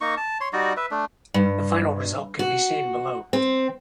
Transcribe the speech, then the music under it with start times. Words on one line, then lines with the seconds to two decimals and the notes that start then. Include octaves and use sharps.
The final result can be seen below.
0.01 A#3 D#4 C#6
0.17 A5
0.41 C#5 C6
0.53 G3 D#4 F#4 D5
0.77 B4 E5
0.91 A3 D4
1.34 G2
2.39 F#4
3.33 C4